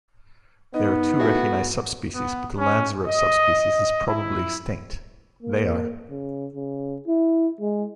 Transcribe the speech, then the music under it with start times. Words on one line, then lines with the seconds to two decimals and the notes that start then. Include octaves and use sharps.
There are two recognised subspecies but the Lanzarote subspecies is probably extinct; they are.
0.74 B3 D#4 D#5
1.19 A3 E4 F#4 G#4
2.14 B3
2.58 C#4
3.07 D#5
4.07 E4
5.43 A#3
6.10 C#3
6.55 C#3
7.08 E4
7.61 G#3